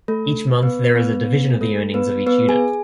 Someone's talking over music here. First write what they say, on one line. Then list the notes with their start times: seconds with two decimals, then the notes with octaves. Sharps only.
Each month there is a division of the earnings of each unit.
0.08 A3 A4
0.63 B3 B4
0.95 B3 B4
1.61 A3 A4
1.94 B3 B4
2.27 B3 B4
2.48 G#4 G#5